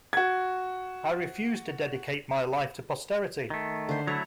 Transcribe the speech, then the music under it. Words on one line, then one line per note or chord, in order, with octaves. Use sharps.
I refuse to dedicate my life to posterity.
F#4 G#6
D#3 A3
D3 C5
F#3 A3 E4 C#5 A#5